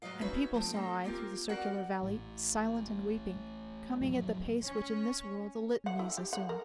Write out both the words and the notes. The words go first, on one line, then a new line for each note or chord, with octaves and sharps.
And people saw I through the circular valley, Silent and weeping, coming at the pace Which in this world the Litanies assume.
G#2 E3 F#3 D#5 F5
C#4 D#4 F#4 B4 C#5 E5
F3 A3 C4
C4 C#4 A4 D#5 A#5
A#3 C4 F4 G4 A#4
C4 F#4 G4 A#4 D5 F#5
A1 A2
F2 A2 E3 F#3
C#4 C#5
F#5
E4
G4
F#5
A#4